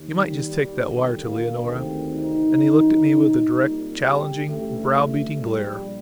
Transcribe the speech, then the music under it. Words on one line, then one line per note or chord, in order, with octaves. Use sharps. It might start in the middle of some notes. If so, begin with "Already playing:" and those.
"You might just take that wire to Leonora." And he looked at me with a direct, challenging, brow-beating glare.
Already playing: D#2 D#3
G3
D#2 D3
A#3
D2 C3 D#3 C4
D#4
F#2 D#3
C2 A#2
G4
A1 G2 D3 A3
A#1 A#2 G3